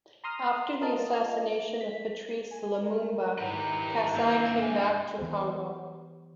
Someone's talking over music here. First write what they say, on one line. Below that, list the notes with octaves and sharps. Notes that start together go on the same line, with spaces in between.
After the assassination of Patrice Lumumba, Kasai came back to Congo.
A#5 C6 D#6 F6
F4 A#4 D#5 A5
B6
G#5
A#4
D#3 E4 G4 B4 A#5
G2 A#3 C4
G#5
E3 B3 G4 C5